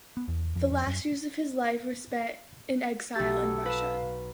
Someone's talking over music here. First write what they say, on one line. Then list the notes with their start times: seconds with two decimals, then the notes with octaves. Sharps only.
The last years of his life were spent in exile in Russia.
0.17 B3
0.28 E2
0.56 F2
0.71 F2
0.87 F#2
3.15 B1 G4 A4 A6
3.66 B4 F5 E7